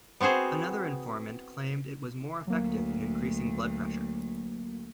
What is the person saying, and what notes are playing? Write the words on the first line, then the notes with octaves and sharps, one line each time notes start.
Another informant claimed it was more effective in increasing blood pressure.
B3 C4 F#4 G#4 C5
D2 F#3 A#3